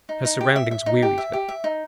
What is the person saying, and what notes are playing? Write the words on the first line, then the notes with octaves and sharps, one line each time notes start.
Her surroundings wearied her.
D#4
D#4
G4
E5
E5
D#4
G4
E5
G4
E5
D#4